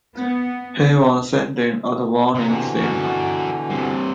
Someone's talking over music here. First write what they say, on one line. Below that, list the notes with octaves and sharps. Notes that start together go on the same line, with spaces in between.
He was sending out warning signs.
B3
C3 A#5
B2 D3 E3
F#4 A#4
G2 C3